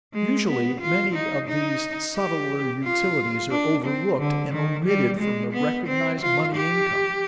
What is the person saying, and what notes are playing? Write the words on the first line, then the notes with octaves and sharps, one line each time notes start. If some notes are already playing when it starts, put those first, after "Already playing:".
Usually many of these subtler utilities are overlooked and omitted from the recognized money income.
G#3
B3
F4
D#4
D#4
G4
F4
D4
C4
D3
D#3
G3
G#3
B3
C4
F4
G4